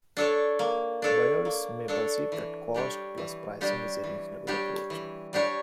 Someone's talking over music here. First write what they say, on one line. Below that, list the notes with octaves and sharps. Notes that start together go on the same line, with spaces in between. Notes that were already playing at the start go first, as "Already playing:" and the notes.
Buyers may perceive that cost-plus pricing is a reasonable approach.
D4 A4 C#5
A#3
D4 A4 C#5
A#3
D4 A4 C#5
E3
G3 D4 G4 C#5
E3
G3 D4 G4 C#5
E3
G3 D4 G4 C#5
E3
G3 D4 G4 C#5